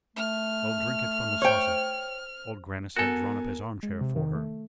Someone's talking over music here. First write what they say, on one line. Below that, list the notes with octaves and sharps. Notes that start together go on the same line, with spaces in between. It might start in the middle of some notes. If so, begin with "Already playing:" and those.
"I'll drink it from the saucer." Old Grannis had drawn up his armchair for her.
A3 F6
C5 C#5 G5 D6
B3 F#4 A4 A#4 G#5
G#3
C3
D#3
A3